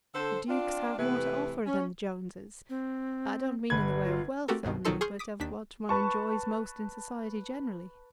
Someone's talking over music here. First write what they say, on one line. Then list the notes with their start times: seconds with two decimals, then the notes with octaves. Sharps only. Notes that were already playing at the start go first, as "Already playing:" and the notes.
"The Dukes have more to offer than the Joneses;--I don't mean in the way of wealth only, but of what one enjoys most in society generally."
0.14 D3 A4 C5
0.48 C4 D4 F4
0.98 C3 E3 A3 B4
1.66 C#4
2.69 C4
3.70 G1 B4 G#6
4.05 F4
4.48 A3 C4 F#4 G4 A4 A#4
4.63 C2 G2 B2 D#3
4.85 B1 D#3 F#3 D#4 A4 C6
5.01 G#4 C6 C#6 F6 G6
5.19 D6 D#6 B6
5.40 D#2 D4 B6
5.89 B4 A5 C#6